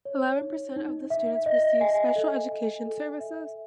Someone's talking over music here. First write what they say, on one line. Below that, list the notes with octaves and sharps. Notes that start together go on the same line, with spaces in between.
Eleven percent of the students receive special education services.
C#5
D#4
D#4
E5
D#5
G#5
A4
G#5
A4
E5